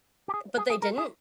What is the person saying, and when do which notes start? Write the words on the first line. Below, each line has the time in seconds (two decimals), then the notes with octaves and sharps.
But they didn't?
0.28 G4
0.34 G#4
0.57 G#4
0.70 G#4
0.82 A#4
0.98 G#4